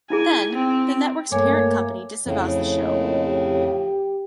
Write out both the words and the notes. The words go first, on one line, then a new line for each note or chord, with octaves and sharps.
Then, the network's parent company disavows the show.
D#4 E4 G#4 G#5
C4
G2 A3 A#3 C#5 E5 G#5 D6
F2 A2 C#3
A#3 F4 D#5
G4